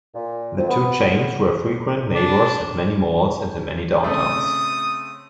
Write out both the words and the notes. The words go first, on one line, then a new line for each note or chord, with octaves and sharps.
The two chains were frequent neighbors at many malls and in many downtowns.
A#2
F2
B3
D4
C#3 A3 C4 D#6